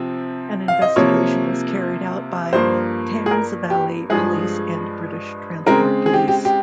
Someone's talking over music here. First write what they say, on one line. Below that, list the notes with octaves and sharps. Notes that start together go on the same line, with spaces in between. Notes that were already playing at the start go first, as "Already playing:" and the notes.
An investigation was carried out by Thames Valley Police and British Transport Police.
Already playing: C3 F3 C4
F5
D#5
C3 F3 A#3 C#5
G2 F3 A#3 C5
G#4
A#4
G4
G2 F3 G#3 G#4
C#3 G#3 C4 A#4
G#4
G4
G4
G4